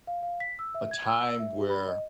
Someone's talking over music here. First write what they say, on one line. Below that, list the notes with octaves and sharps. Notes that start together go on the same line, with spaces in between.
a time where
F5
F5
B6
E6
E5
G#6
E6
E5
G4
B5
D#5